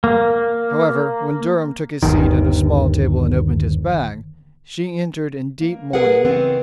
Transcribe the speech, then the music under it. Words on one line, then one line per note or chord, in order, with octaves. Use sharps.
However, when Durham took his seat at a small table and opened his bag, she entered in deep mourning.
A#3
G1 D#2 D#3
A#3
G#4 A#4 B4 F#5
C#3 E3 B3 C4